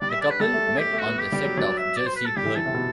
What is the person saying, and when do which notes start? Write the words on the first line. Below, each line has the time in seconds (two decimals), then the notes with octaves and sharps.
The couple met on the set of "Jersey Girl".
0.01 G3 D5
0.12 E5
0.21 D5
0.30 B4
0.40 G3 A4
0.53 A3
0.67 A3
0.79 A3 G4
0.93 A3
0.99 F#4
1.06 B3
1.18 G4
1.32 G3
1.45 F#3
1.57 F#3 D5
1.78 E5
1.97 D5
2.06 C5
2.16 B4
2.26 A4
2.37 G3 G4
2.45 E3
2.56 E3 A4
2.66 C3
2.74 B2